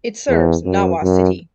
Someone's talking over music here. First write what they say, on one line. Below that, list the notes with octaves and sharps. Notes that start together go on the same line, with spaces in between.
It serves Nawa City.
E2
F#2
F#2